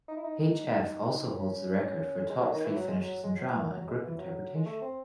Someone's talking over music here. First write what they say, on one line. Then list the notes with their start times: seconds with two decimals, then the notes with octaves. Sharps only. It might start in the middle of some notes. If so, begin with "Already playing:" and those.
H-F also holds the record for top three finishes in Drama and Group Interpretation.
0.08 D#4
0.17 E4
0.24 D#4
0.40 D#4
1.23 C4
1.34 C#4
2.30 G#3
2.40 F#3
2.53 D#3
2.65 E3
2.76 F#3
2.88 G#3
3.00 F#3
3.24 G#3
3.36 F#3
3.48 E3
3.59 D#3
3.71 F#3
3.81 F#3
3.87 G#3
4.03 E3
4.18 F#3
4.55 G#3
4.66 A3
4.81 C4